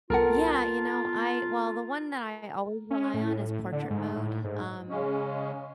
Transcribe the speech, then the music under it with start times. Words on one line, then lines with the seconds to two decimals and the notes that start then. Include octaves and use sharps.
Yeah, you know, I well, the one that I always rely on is portrait mode, um,
0.10 C2 B3 F4 A4 A#4 F#5 A5
2.91 C#4
3.14 A2
3.72 D3
3.90 G#2
4.15 A2
4.44 G#2
4.90 C#3 G#3 C#4